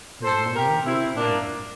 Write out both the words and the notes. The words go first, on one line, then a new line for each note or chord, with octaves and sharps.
His mind grew calmer.
A4 C5
G4 A#4
C4 E4
A#3 D4